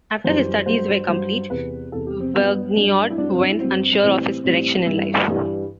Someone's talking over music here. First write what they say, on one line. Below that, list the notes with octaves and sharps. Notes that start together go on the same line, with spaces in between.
After his studies were complete, Vergniaud went unsure of his direction in life.
F#2 E3 G3 C5
G2 F#3 C5
G2 F#3 C5
E2 C3 E3 B4
E2 C3 E3 A4
G4
C4
G2 F#3 B3
G2 F#3 D4
E4
G2 F#3 D4
C4
D4
E4
G2 F#3 C4
A2 E3 G3 C4
A2 E3 G3 C4
G2 E3 G3 E4
G2 E3 G3